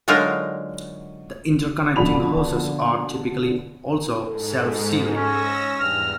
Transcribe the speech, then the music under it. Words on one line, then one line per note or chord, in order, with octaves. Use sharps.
The interconnecting hoses are typically also self-sealing.
D3 F#3 G#3 D#4 F4 A#4
B2 D3 F3 D4 B5 F7
G#2 A4
C#4 E6 A#6
E2 G2 F6